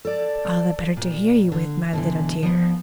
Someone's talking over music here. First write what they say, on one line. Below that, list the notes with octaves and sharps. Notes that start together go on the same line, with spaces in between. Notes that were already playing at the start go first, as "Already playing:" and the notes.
"All the better to hear you with, my little dear."
A4 D5
A#2
D3
B2 D3 E3
F3 B3